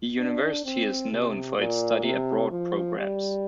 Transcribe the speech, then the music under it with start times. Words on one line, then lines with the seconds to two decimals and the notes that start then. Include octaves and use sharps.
The University is known for its study abroad programs.
0.19 D4
0.65 C4
1.12 C3
1.58 A#2
2.04 C3
2.51 F3
2.98 G3